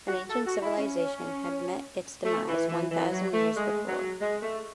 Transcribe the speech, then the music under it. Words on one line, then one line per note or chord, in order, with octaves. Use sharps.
An ancient civilization had met its demise one thousand years before.
F#4
A4
F#4
E4
C#4
A3
E3
E3
E3
F#3
A3
G#3
F#3
G#3
A3